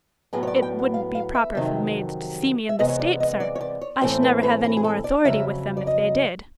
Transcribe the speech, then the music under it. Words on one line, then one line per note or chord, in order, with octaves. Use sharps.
It wouldn't be proper for the maids to see me in this state, sir; I should never have any more authority with them if they did.'
A2 F#3 B3 G#4
C#5
D5
G5
F#5
F5
F5
E5
F2 C3 D#3 F#3
E5
C3 E3 G#3 B3 D#5
C#5
D5
D#5
D5
C#5
D5
C#5
A2 E3 A3 C4 C5
B4
B4
A#4
G#4
A4
D5
F2 C#3 F#3 E5
D5
D#5